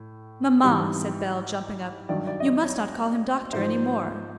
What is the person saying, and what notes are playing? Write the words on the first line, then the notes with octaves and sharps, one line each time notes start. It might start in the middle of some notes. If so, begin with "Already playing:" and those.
"Mamma," said Bell, jumping up, "you must not call him doctor any more."
Already playing: A2
G#2 E3 G3
G2 D#3 F#3 D5
D5
D#5
D5
C#5
G#2 F3 C5